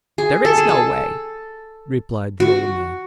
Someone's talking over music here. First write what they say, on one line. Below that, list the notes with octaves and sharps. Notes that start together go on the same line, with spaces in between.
"There is no way," replied the old man.
G#4
A4
G#4
A4
F#4